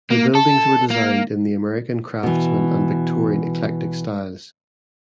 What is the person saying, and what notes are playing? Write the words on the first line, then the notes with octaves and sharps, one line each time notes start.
The buildings were designed in the American Craftsman and Victorian Eclectic styles.
A#3
A4
A#3
B2 E3